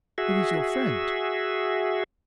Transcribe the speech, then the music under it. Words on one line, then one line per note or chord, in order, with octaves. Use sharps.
"Who is your friend?"
F#4 G#4 E5